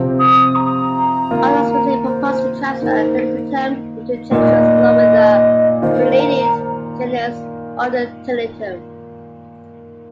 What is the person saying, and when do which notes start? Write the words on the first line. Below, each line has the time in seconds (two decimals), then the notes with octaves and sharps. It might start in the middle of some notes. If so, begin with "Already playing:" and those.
Authors recently proposed to transfer "Pennisetum" into "Cenchrus", along with the related genus "Odontelytrum".
Already playing: C3 F3 C4
0.19 D#6
0.55 A#5
1.31 D#3 A#3 F4
2.06 C5
2.82 D#3 A#3 D#4
4.31 A#2 A#3 D#4 D#5
5.82 D#3 A#3 F4 C5
6.19 A#5